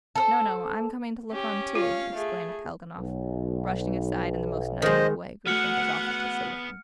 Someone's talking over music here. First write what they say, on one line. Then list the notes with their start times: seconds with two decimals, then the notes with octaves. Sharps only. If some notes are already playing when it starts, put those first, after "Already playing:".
"No, no, I'm coming to look on, too," exclaimed Kalganov, brushing aside in the most naive way Grushenka's offer to sit with him.
0.16 A4 A#4 C5
1.31 C#4 G4
1.75 F4 C#5 F5
2.15 A3 G#4
2.98 B1
4.82 D#3 G#3 C5 D#5
5.47 A3 B3 F#4 G#4 F#5 F6 C#7